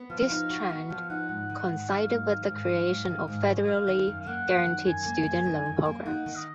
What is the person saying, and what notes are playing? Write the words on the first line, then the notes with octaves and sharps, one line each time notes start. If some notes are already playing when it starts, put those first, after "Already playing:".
This trend coincided with the creation of Federally guaranteed student loan programs.
Already playing: B3
F3 F5
D#4
F#4
B3
F3 F5
D#4 F#5
G#2 F#5
D#3
F#5
G#2
F#3 F5
G#2
D#3
G#2 F5
F#3
G#2
D#3
G#2
F#3
F#2 F5
D#3
F#2
F5
A#3 F#5
F#2
D#3
F#2 G#5
A#3
F#2
D#3
F#2
A#3
D#4 F#5
D#3
D#5